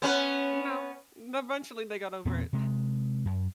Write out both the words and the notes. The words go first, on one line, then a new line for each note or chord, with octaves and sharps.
No, eventually they got over it.
B3 C#4 B4
E2 A#2 B3 C4
C3 G#3
F#2